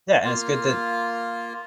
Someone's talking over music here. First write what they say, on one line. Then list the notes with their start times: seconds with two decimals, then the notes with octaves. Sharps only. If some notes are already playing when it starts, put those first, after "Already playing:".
Yeah. And it's good that
0.25 A#3 F4